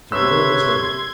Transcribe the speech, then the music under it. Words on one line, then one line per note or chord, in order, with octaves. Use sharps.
So Billy was herd.
C3 B4 C#5 E5 C6 E6 G#6